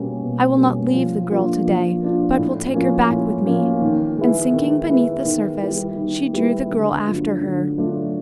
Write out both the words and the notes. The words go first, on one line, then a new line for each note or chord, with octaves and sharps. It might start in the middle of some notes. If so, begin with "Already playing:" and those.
I will not leave the girl to-day, but will take her back with me'; and sinking beneath the surface, she drew the girl after her.
Already playing: B2 G3 A#3 C#4
B2
G3 A#3 C#4
F3
A#3 D4 F4
F3
A#3 D4 F4
A2
F3 A#3 C#4
A2
F3 A#3 C#4
D#3
G#3 B3 E4
D#3
G#3 B3 E4
D#3
G3 B3 E4
D#3
G3 B3 E4
D3
F#3 A3 D4 F4
D3
F#3 A3 D4 F4